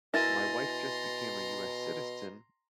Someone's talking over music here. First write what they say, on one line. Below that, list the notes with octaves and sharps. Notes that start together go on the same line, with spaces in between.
My wife just became a US citizen,
B2 E4 A#4 G#5 A#5 C6 A6 A#6